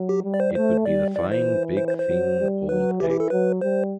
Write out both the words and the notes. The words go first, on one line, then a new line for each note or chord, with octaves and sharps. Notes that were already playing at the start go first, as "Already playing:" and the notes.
It would be the fine, big thing, old egg.
Already playing: F#3
G4
G3
D5
C5
A3 C5
G3 D5
E3 D5
C5
C5
C5
C5
F#3
G3
F#3 B4
E3 G4
G4
A4
F#3 B4
G3 C5